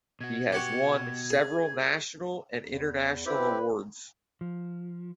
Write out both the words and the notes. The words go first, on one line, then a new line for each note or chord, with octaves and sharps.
He has won several national and international awards.
B2 F#4 G#6
G4 F#5 C#6
G#4
E2
C4 E4 G4 B4
F3